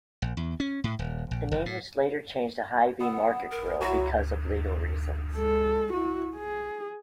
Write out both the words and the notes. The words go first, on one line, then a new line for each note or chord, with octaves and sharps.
The name was later changed to Hy-Vee Market Grille because of legal reasons.
A#1
E2
C#4
A2
D#1
A#1
F#1
A2
B3 F#5 E6
A#4
F#3 E4 F#4
G#3 A4
E4 F#4
G#4